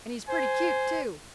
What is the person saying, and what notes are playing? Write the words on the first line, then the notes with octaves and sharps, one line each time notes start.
And he's pretty cute, too.
C5 G#5